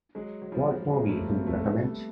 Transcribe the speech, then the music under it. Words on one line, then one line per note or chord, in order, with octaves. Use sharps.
What movie do you recommend?
F#3 G#3
F#3
F3 G3
F#3 G#3
A#3
G3 A3
A#3 C4
A3 B3
A3 B3
G3 A3